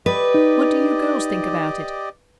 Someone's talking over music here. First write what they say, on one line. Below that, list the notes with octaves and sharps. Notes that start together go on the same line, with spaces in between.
"What do you girls think about it?"
G4 B4 D5 D#5
D#4